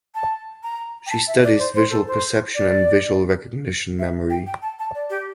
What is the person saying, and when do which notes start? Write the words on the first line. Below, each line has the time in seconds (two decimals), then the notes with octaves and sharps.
She studies visual perception and visual recognition memory.
0.15 A5
0.63 A#5
1.06 G5
1.10 A5
1.27 E5
1.43 D5
1.59 C5
1.75 C5
1.90 A4
2.07 C5
2.55 D5
3.99 E5
4.30 G5
4.47 G5
4.62 A5
4.79 A5
4.95 D5
5.10 G4